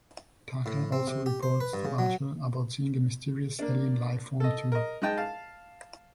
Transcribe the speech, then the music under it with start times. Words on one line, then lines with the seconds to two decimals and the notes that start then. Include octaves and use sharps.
Tucker also reports to Archer about seeing a mysterious alien life form too.
0.66 A2
0.92 C4
1.07 C3
1.26 G4
1.43 C5
1.60 B4
1.73 G2
1.85 C#3
1.99 F#3
3.59 A#3 D4
4.40 A4 D#5
4.72 A#4 D#5
5.02 G#3 D#4 D#5 G5 A5
5.17 F5 A5